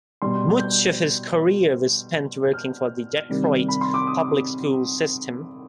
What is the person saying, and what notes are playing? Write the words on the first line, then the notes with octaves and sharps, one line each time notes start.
Much of his career was spent working for the Detroit public schools system.
B2 G3 C6
G6
G6
F6
C3 D#3 G3
B5
C6
D6
D#6